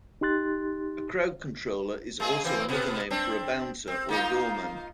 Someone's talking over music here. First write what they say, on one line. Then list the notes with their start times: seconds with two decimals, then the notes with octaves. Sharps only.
A crowd controller is also another name for a bouncer or doorman.
0.21 D#4 G4 C6 F#6 A6
2.20 G#3 A#3 G#4
2.44 E3 A#3 C4
2.69 B2 B3
3.10 C4 D4
3.87 C4
4.09 A#3 D#4 F4